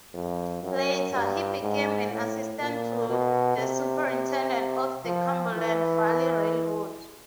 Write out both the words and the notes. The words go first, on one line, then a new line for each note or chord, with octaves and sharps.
Later, he became an assistant to the superintendent of the Cumberland Valley Railroad.
F2
F#2
G2
G#2
A2
A#2
B2
C3
C3
F3
E3